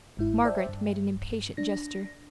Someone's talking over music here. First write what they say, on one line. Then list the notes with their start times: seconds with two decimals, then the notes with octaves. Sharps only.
Margaret made an impatient gesture.
0.17 G1 G#2 E4
0.45 C5 D5 E5 G5 A5
0.69 G2
1.57 D4 A#6